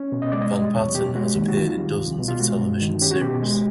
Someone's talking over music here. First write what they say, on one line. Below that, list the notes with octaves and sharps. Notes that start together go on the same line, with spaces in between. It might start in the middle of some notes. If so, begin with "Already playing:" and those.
Van Patten has appeared in dozens of television series.
Already playing: C#4
B2
D#5
G#3 D5
D#5
G3
E2 C#5
B2 G4
G#3 F#4
D#2
F#4
D#3 F4
G3
C2
B2
F4
G#3 F#4
G2
D#3
C#4 G4
F#4
B2 G4
G#3